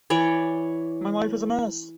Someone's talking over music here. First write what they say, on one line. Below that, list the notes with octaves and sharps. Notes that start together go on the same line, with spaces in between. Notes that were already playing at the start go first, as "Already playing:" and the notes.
My life is a mess.
E3 C#5 D5